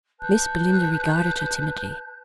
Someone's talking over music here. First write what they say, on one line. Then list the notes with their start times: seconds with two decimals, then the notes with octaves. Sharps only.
Miss Belinda regarded her timidly.
0.19 B4 A5 F#6 G6